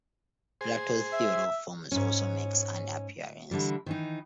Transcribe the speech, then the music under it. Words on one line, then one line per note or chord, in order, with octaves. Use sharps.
Plato's theory of forms also makes an appearance.
G#4 C5
E5
G#2 C#4
D3 E3 G3
D#3 E3 D#4